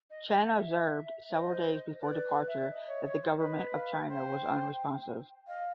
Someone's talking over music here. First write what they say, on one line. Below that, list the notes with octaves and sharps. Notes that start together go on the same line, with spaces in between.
Chen observed several days before departure that the government of China was unresponsive.
D#5
D#5
F#5
E5
C5 D#5
B4 D5
E5
D5
D#5
C#5
C#5
C5
B4 D#5
F5
C5 G5
D#5 F5